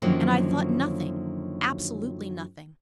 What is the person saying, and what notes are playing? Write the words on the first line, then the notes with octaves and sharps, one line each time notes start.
And I thought nothing; absolutely nothing.
F#2 D3 D#3 F3 F#3 A#3